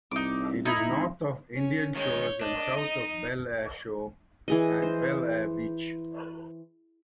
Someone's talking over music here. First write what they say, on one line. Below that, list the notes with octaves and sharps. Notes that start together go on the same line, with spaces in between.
It is north of Indian Shores and south of Belleair Shore and Belleair Beach.
C2 D#4 D6
D#4 E4
G#1
C#4
D#3 G#3 C#5 G6
D4 D#5
D#4
E3 G#4 D#5
C5